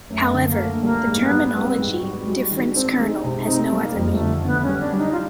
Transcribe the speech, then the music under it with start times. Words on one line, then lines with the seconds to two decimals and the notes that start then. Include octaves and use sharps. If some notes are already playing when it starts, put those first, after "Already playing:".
However, the terminology "difference kernel" has no other meaning.
0.10 F#2 A3
0.34 D3
0.47 A#3
0.58 A3
0.83 G3 A#3
1.07 G#2
1.19 B3
1.30 G3
1.55 B3 C4
1.78 G#2
1.91 F#4
2.03 G3
2.27 G#3 F#4
2.51 D#3
2.64 D4
2.76 C4
2.99 G#3 D#4
3.24 C3
3.36 D#4
3.48 C4
3.71 G3 A#3
3.96 F2
4.08 A3
4.21 D3
4.45 D3 B3
4.62 C#4
4.68 G3
4.80 D4
4.93 G3
4.98 D#4
5.12 F4